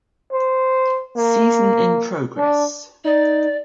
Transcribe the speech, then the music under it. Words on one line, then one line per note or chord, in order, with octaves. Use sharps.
Season in progress.
C5
A#3
D4
D#4 D5